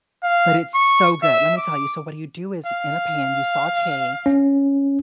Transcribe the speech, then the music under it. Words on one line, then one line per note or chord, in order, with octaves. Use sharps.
but it's so good. Let me tell you, so, what you do is in a pan, you saute
F5
C#6
E5
D6
F5
C#4